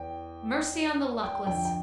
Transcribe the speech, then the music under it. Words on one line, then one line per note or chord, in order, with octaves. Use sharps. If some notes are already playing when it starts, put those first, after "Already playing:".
Mercy on the luckless!
Already playing: E2 E3 G5
G5
F2 D3 F3 G5
G5